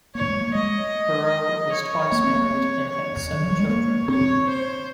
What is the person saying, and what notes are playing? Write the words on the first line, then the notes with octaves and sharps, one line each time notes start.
Brough was twice married and had seven children.
A#3 C#5
G#3
A#3
G#3 D#5
C#5
A#3
C4
A#3
C4
C#5
D#3
F3
G3
G#3
A#3
C4 C#5
C5